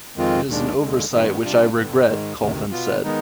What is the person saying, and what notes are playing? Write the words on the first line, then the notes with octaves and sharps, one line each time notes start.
It is an oversight which I regret, Colvin said.
F2 D#3 G#3 C4 F4
D#2 D#3 G#3 D4
D#2 D3 G#3
G2 D#3 B3
C3 G3 D4 F4
G2 D3 G3 B3
G#2 D#3 G#3
D2 C3 D#3
B2 B3 F4
D#3 G#3 B3 D#4